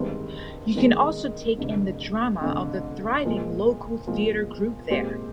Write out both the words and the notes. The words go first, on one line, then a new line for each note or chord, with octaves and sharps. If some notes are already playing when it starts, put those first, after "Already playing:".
You can also take in the drama of the thriving local theatre group there.
Already playing: G1 G2 D#3 G#3 C4
G1 G2 D#3 G#3 C4
F1 F2 D3
F1 F2 D3
A#2 F3 G#3
A#2 F3 G#3
A#2 G#3 C4 G4 C5